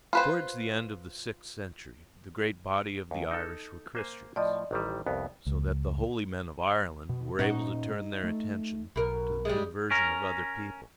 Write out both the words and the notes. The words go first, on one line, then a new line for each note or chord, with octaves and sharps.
Towards the end of the sixth century the great body of the Irish were Christians, so that the holy men of Ireland were able to turn their attention to the conversion of other people.
F4 B4 C5
D#2
D#4 A4
A#3 C5 G#5
A2 F3 D5 D#5
A1 D#3 G3
C2 F2 B3
C#2
B2
A#2 C#4 D#4 F#4
A3
B1 B2 A#4
G3 G#3
C#4 A#4